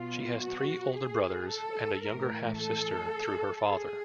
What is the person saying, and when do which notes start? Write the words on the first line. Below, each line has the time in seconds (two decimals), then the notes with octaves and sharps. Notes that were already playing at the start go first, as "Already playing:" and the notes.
She has three older brothers and a younger half sister, through her father.
Already playing: B2 F#3 B3 F4
0.44 F#4
0.97 G#4
1.50 A4
2.04 A2 E3 A3 A#4
2.58 A4
3.65 G#4